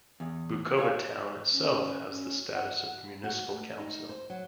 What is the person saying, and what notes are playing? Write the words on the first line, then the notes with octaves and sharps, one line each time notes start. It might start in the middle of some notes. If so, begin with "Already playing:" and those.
Bukoba Town itself has the status of a municipal Council.
E2
G#4 C#5 F5 G#5
C#4
C#4
F#5
F#4
A3
D#4
C5
F#3